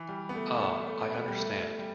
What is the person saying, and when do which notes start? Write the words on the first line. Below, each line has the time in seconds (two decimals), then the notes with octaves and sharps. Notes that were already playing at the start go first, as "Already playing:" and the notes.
Ah – I understand!
Already playing: E3
0.09 G3
0.29 B3
0.35 A3
0.61 B3
0.87 A3
1.13 B3
1.28 G3
1.40 A3
1.79 G3